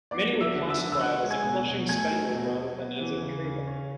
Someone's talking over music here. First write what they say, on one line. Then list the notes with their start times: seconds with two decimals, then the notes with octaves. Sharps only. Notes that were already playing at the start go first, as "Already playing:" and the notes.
Many would classify it as a flushing spaniel rather than as a retriever.
0.11 B3 D5 D6
0.33 F#3
0.41 E5 E6
0.55 D3
0.70 E5 E6
0.78 D3
0.92 E6
1.00 C#4 F#5 F#6
1.23 G#3
1.30 G#5 G#6
1.44 B2
1.68 B2
1.89 A3 G#5 G#6
2.11 F#3
2.34 B2
2.56 B2
2.78 B3
3.00 E3
3.22 C#3
3.44 C#3
3.67 C#4